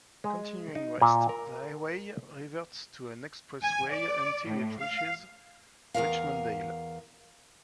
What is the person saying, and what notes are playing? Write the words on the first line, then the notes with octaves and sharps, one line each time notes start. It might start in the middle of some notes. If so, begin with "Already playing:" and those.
Continuing west, the highway reverts to an expressway until it reaches Richmond Dale.
G#3
D#4
A#2
A#4
G#5
D5
A2
F5
E2 C3 A#4 F5